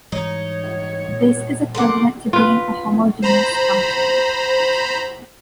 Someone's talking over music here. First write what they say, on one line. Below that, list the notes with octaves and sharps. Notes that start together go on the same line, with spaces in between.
This is equivalent to being a homogeneous function.
G#2 E3 G3 D#4 C#5
A#2 G3
A3 A#4 F#5 C6 D6
F4 B4
C5 A#5 B5